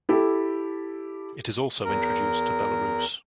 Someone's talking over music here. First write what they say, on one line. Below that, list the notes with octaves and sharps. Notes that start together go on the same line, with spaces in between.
It is also introduced to Belarus.
E4 G4 A4
E2 A#4